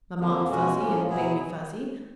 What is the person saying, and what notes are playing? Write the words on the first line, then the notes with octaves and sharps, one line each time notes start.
Mamma Fuzzy, and Baby Fuzzy.
F2 D3 F3 A#3
B2 G#3 C#4 F#4
A2 F3 A#3 C#4 F4
B2 F#3 B3 E4 G#4